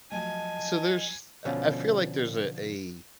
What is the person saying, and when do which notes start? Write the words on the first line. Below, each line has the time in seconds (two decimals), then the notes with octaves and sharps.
so there's I I feel like there's a a
0.12 F3 F#3 A3 D#5 G#5 A5
1.45 B2 D3 F3 C#4